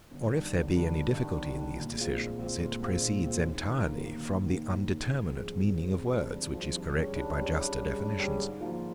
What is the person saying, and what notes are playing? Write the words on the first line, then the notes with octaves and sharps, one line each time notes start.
Or if there be any difficulty in these decisions, it proceeds entirely from the undeterminate meaning of words, which is corrected by juster definitions.
G1
G2 D#3
G1
G2 D#3
G1
G2 D#3
G1
G2 D#3
A#2
G#3 C4 F4
A#2
G#3 C4 F4
A#2
G#3 C4 F4
A#2
G#3 C4 F4
D#2
D#3 A#3
D#2
D#3 A#3
D#2
D#3 A#3
D#2
D#3 A#3
G#1
G2 F3 G#3 C4
G#1
G2 F3 G#3 C4
G#1
G2 F3 G#3 C4
G#1
G2 F3 G#3 C4
G2
G3 C#4 G#4
G2
G3 C#4 G#4
G2
G3 C#4 G#4
G2
G3 C#4 G#4
G#2
F3 A#3 F4